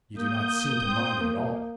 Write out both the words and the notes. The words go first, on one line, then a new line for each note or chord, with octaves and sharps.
"You do not seem to mind it at all."
A#3 D#6 G6
C4
A#3